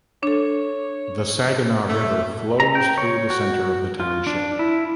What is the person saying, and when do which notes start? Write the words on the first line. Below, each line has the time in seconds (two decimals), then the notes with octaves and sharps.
The Saginaw River flows through the center of the township.
0.23 D4 A4 C#5
1.88 A3
2.60 A#5
2.75 G5
2.98 C#5
3.30 F#4
4.00 F4
4.27 D4
4.59 E4